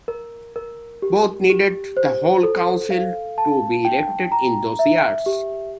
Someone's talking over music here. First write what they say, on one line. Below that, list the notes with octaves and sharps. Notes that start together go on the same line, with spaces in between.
Both needed the whole council to be elected in those years.
A#4
A#4
G4
G4
C5
A4
F5
A5
G5
A#5
E5
G4